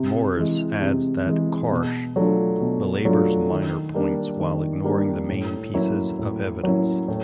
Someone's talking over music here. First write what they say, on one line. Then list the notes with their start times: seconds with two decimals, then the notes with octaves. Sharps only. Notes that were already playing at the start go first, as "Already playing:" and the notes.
Morris adds that Karsh belabors minor points while ignoring the main pieces of evidence.
Already playing: C3
0.37 E3 G#3
0.81 C3
1.26 E3 G#3
1.71 B2
2.16 F#3 A3 D4 F4
2.60 B2
3.05 F#3 A3 D4 F4
3.50 D#3
3.94 G3 A#3 D4
4.40 D#3
4.84 G3 A#3 D4
5.29 A2
5.74 F#3 A#3 C#4 E4
6.19 A2
6.63 F#3 A#3 C#4 E4
7.08 A2